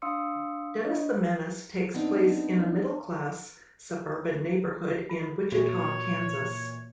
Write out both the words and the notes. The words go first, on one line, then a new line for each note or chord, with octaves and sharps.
"Dennis the Menace" takes place in a middle-class suburban neighborhood in Wichita, Kansas.
D4 F5 C6 D#6 E6 C#7
D4 C#5 D#5
B3 C4 D4 D#4
F4
A#2 E3 F#4 C#5